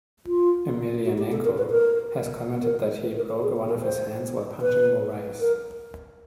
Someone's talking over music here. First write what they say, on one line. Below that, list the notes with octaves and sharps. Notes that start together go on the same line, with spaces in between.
Emelianenko has commented that he broke one of his hands while punching Morais.
F4
F#4
G4
A4
A#4
B4
A#4
A#4
B4
A#4
A4
G#4
A4
A#4
C5
B4
A#4